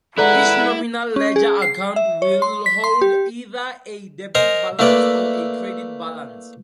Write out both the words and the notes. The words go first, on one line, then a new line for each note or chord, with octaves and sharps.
Each nominal ledger account will hold either a debit balance or a credit balance.
G#3 E4 A4 B4 D5 F#5 A#5
C#4
G#4
C7
E5
C#5
C6
B6
C6
G4
A#4 C5 D#5 G#5 A#5
A3 A#3 E4 B4 D5